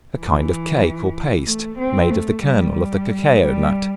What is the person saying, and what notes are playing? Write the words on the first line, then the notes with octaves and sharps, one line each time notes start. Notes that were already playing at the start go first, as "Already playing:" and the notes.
A kind of cake or paste, made of the kernel of the cacao-nut.
E3
A3
C4
A3
G3
G3